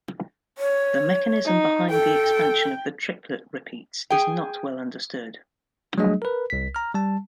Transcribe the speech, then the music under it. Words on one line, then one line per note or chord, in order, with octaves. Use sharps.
The mechanism behind the expansion of the triplet repeats is not well understood.
C#5
D#4
A4 G5
G#4 G5
F#3 G3 A3 D4 G#4 D#5
A#4 B4
C2 B6
A#5 F6
G3 A5